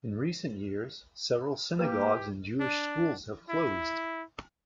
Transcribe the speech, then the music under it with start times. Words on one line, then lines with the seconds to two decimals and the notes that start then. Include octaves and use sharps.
In recent years, several synagogues and Jewish schools have closed.
1.79 A#3 E4 G4 B4
2.60 D4
3.49 E4